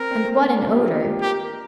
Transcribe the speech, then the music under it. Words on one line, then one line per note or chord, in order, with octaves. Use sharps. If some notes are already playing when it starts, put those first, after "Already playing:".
And what an odour!
Already playing: C4 A#4
C4
A#3
D4
G4
F4
G4
G4 A#4
A#4